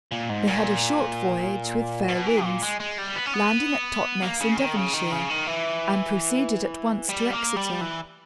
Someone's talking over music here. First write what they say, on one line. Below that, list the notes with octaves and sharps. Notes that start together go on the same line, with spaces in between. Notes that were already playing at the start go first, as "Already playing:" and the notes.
They had a short voyage with fair winds, landing at Totness, in Devonshire, and proceeded at once to Exeter.
A#2
G#2
A#2
B2
E3
A#2
G#3
G#3
G3
B3
C#4
B3
A#3
C#3
D#3
C#3
D#3
C#3
D#3
E3
G3
A#3
G3
E3